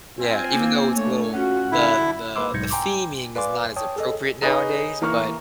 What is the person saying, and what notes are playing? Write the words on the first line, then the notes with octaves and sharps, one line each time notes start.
Yeah. Even though it's a little The the the theming is not as appropriate nowadays, but,
C4 F4 G#5
A#3
A3 D4 C#5
C#4 F4 F#4 F#5
D3 E4 A4
A#3 B4 B5 C6 D6 E6
B1 G#2 G6 G#6 A#6 C#7
G5 G#5 A#5 C6 D6
B4 D5 F5 G#5 C6 D6
C#5 G5 A5 D#6
G#4 A4 D#5
D#4 G#4 B4 C#5
E3 A#3 A#4 C#6 F6